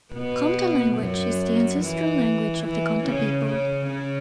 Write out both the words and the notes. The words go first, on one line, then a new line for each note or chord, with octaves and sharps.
Konta language is the ancestral language of the Konta people.
B2 B3
F#2 F#3
E3
E3
C#3 C#4
C#3 C#4
C#3 C#4